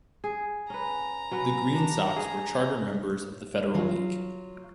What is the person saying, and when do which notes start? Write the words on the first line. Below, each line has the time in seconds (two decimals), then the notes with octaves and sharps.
The Green Sox were charter members of the Federal League.
0.24 G#4
0.70 C#4 B4 A#5
1.31 F#3 C#4 B4
1.75 D4
2.16 G#4
3.74 F#3 F4